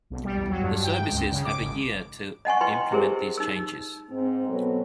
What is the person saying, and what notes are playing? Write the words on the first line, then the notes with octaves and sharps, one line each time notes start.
The services have a year to implement these changes.
B1
G3
E2
F#3
G2
G5
G#2
C#2
C#3
D6
G#1
D#5 F#5 G#5 C#6
E4 B4 G5 C6
E4 G4 G#4 A#4 C5
D#4 E6
G#2 C4
B2 F#3 B3 C4 A4